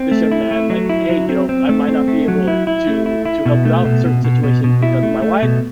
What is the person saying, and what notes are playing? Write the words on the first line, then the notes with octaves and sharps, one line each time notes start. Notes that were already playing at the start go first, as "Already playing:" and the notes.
this young man like, "Hey, you know, I might not be able to to help you out in certain situations because of my wife.
Already playing: C4
A3
E4
A3
F#3
E4
F#3
C4
C4
A3
C4
A3
F#3
E4
E4
A3
E4
E4
B2
A3
B2
B2
B2
B2
B2
E4
A3
A3
B2